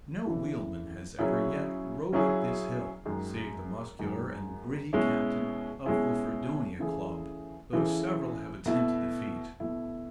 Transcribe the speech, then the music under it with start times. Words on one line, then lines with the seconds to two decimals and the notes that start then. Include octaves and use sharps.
No wheelman has ever yet rode up this hill, save the muscular and gritty captain of the Fredonia Club, though several have attempted the feat.
0.25 C#3 E3 A3 E4
1.19 C#3 F#3 C#4 E4 G#4
2.13 C#3 F#3 C#4 E4 G#4
3.05 F#2 D#3 G#3
3.99 F#2 D#3 G#3
4.93 B2 G#3 C#4 E4 G#4
5.86 B2 G#3 C#4 E4 G#4
6.79 C#3 E3 A3 E4 G#4
7.73 C#3 E3 A3 E4 G#4
8.66 B2 A3 E4
9.60 B2 A3 E4